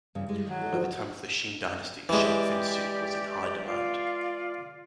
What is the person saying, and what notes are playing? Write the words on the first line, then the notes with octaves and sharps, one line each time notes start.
By the time of the Qing dynasty, shark fin soup was in high demand.
G2 C#3 E3
G3 G#3
D#3 E3 F#3
A4 D#5
F3 F#4 C5
E3 G#3 G4 D5
F4 D5 F5